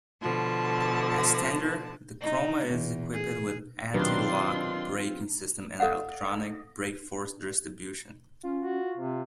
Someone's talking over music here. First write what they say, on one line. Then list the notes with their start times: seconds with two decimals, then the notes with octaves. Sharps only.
As standard, the Croma is equipped with anti-lock braking system and electronic brakeforce distribution.
0.21 B2 D3 F3 A5
2.21 D#4
2.68 E2
3.13 G#4
3.94 D#3 F#3 C4 D4 F4 G4 B4 C6
5.80 A4 D#5 F5 F#5
8.43 C#4 F4
8.60 F#4
8.97 C3 C4